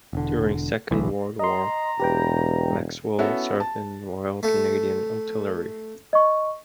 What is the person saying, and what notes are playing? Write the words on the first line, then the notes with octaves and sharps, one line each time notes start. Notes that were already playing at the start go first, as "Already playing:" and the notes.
During Second World War, Maxwell served in the Royal Canadian Artillery.
E1 D3
D1 B1 E3
D#5 A#5 C6
E1 G4 B4 G5
B3 C#4 E4 F#4 A4 E5
A5
A3
D#5 C#6